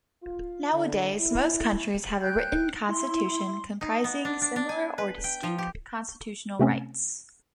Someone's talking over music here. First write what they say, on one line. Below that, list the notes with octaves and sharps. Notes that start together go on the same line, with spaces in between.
Nowadays, most countries have a written constitution comprising similar or distinct constitutional rights.
F4
D3
E4
G5 F#6 G6
E4 C6
D#4
B3
D4
D4
D4
G#5
B4
G5
F3
G4
C3 A3 C4 C#4